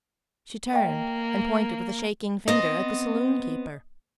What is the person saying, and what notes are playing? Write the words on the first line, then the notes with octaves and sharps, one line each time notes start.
She turned and pointed with a shaking finger at the saloon-keeper.
A#3 D#5 G5
B3 C4 D#5